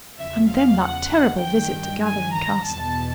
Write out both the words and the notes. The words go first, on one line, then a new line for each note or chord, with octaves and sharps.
And then that terrible visit to Gatherum Castle!
E2 C#3 F3 E5
F5
F#5
G2 D#3 G5
G#5
A#5
E2 B2 A5